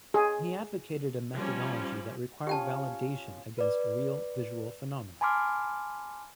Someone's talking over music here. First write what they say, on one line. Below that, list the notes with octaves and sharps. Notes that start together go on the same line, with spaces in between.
He advocated a methodology that required validation against real visual phenomena.
G#4
F3 G3 C#4
F3 C#4 G4 G5 A5
B4 D5
G#5 A5 B5 C6 D6 F6